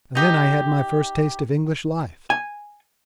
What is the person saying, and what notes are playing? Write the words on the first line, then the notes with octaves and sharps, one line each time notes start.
And then I had my first taste of English life.
D#4 G4 D#5
G#5